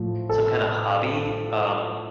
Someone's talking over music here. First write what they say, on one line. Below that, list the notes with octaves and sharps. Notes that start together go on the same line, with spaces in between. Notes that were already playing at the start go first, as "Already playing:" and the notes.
some kind of hobby, um,
Already playing: A2 F3
A4